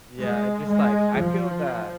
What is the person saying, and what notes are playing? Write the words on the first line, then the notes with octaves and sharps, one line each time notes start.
Yeah, it just like I feel that
G#3
G#3
F3